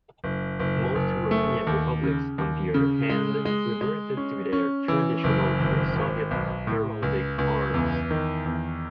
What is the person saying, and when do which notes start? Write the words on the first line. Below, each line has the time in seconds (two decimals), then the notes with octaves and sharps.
Most European republics, on the other hand, reverted to their traditional pre-Soviet heraldic arms.
0.24 F#1
0.60 F#1
0.95 F#1
1.31 A3
1.67 D#2
2.03 C#3
2.38 D#2
2.74 C#3
3.10 G#3
3.45 G#3
3.81 G#3
4.17 C#4
4.52 C#4
4.88 E3
5.24 F#1
5.60 G#1
5.96 G#1
6.31 B1
6.67 A2
7.02 C#2
7.38 C#2
7.74 E2
8.11 D#3
8.46 E2